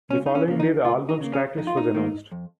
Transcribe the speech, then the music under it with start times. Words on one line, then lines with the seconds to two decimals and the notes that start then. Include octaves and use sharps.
The following day the album's track list was announced.
0.10 C#2 C#4
0.26 D#4
0.35 C#4
0.48 C#3 A#3
0.60 D#4
0.84 C#2 F4
1.09 D#4
1.21 C#3 A#3
1.33 C#4
1.58 F2 D#4
1.67 F4
1.77 D#4
1.95 D#3 A#3
2.32 F2